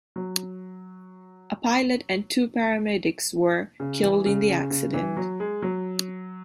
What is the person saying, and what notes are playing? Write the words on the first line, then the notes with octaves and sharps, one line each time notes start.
A pilot and two paramedics were killed in the accident.
F#3
C#3
E3
C#3
C#3
C#3
E3
F#3
G#3
F#3